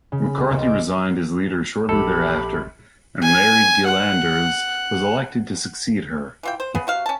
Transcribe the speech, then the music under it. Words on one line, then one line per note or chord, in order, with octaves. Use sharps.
McCarthy resigned as leader shortly thereafter, and Larry Gillanders was elected to succeed her.
C#3
B5
C2
C#2
D6
A#1 G4 A4 B5
G#5
F#5
E3 F4 G5
C5
C#3 B3 G#4
C3 F#4 F5
C#4 A5